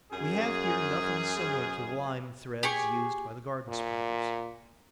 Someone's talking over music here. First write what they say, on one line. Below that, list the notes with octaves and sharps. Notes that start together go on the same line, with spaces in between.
We have here nothing similar to the lime-threads used by the Garden Spiders.
F#2 G#4
G4 G#4 C#6
A#2